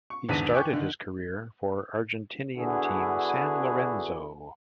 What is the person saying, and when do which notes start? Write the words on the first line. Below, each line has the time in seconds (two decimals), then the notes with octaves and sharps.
He started his career for Argentinian team San Lorenzo.
0.10 C#6
0.29 G#1 E2 D3 A5 B6 D#7
0.54 G5 G#5 C#6 D6 F#6
0.73 D3 D#3
2.57 D3 B3 D4 E4 F#4 G#4